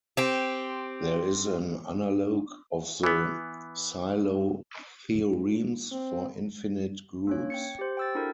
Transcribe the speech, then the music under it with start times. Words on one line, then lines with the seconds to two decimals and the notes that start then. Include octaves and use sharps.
There is an analogue of the Sylow theorems for infinite groups.
0.17 C4 G4
3.03 E3 B3
5.91 C4
7.27 A#3 C#4 C#5
7.50 G5 G#6 C#7
7.79 G4 C5
7.97 G5 E6 A6
8.15 D4 E4 F#4 A4 A#4